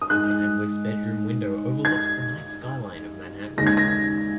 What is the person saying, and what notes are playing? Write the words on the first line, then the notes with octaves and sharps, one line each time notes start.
Stanwyck's bedroom window overlooks the night skyline of Manhattan.
D#6
G#2 G#3 F#6
G#6
D#2 C#3 G#3 A#6
G#6
A#6